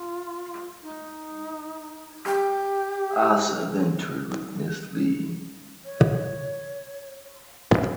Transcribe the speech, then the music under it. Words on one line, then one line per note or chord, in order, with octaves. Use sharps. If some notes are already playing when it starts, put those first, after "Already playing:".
Aasa then toured with Miss Li.
Already playing: F4
D#4
G4
C#5